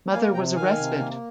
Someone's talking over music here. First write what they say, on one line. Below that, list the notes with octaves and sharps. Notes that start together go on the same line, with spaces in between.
Mother was arrested.
A#3 F5 G#5
C3 G5 A#5
D#3 F5 G#5
C3
A#3